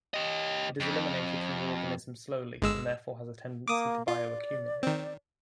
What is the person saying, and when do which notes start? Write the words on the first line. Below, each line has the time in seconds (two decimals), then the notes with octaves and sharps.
It is eliminated from the organism slowly, and therefore has a tendency to bioaccumulate.
0.14 G4 D#5
0.80 F2
2.62 G1 G#3 E6
3.68 A#3 D6 D#6
4.08 F4 D5
4.83 D#3 C4